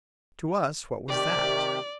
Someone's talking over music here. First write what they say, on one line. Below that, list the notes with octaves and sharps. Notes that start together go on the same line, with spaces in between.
To us what was that?
C3 D#3 G4 D5